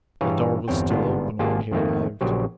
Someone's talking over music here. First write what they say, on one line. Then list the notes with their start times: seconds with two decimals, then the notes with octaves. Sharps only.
The door was still open when he arrived.
0.21 G2 E3 G#4 C#5 F5 A#5
0.68 G1 E2 C4 C#5 G5
0.90 G1 G#2 B3 D4 F4
1.39 G#1 A#3 F4 G4 G#4 A5
1.71 F2 D#3 A3 A#3
2.21 A#1 C#3 F#3 G4 C5